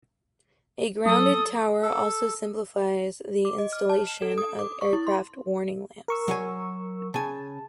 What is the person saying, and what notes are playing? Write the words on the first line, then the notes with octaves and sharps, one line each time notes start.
A grounded tower also simplifies the installation of aircraft warning lamps.
F#3 A4 D#6
A4
D6
D#5
F6
A5
E7
A4
D#6
D6
C#6
E4
C6
A#4 C#6 E6
F#3 C#5 G#5
C#3 G#5 A5